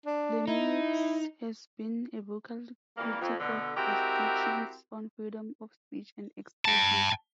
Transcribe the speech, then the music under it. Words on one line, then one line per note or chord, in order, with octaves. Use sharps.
Lemieux has been a vocal critic of restrictions on freedom of speech and expression.
D4
D#4 E4
F2 E3 G3 A#3
F2
B2 D3
G#3 C4 E4 F#4 G4 A#4
G5 A5